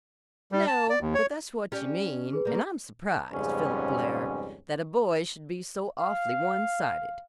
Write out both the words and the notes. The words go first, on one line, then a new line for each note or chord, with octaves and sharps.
"No, but that's what you mean, and I'm surprised, Philip Blair, that a boy should be so awfully one-sided."
G3
A5
D5
D#2
C#5
C#4 G4 D5
G#4 B4
G3 A#3
F2 G#2 C#3 G3 B3 C#4
F5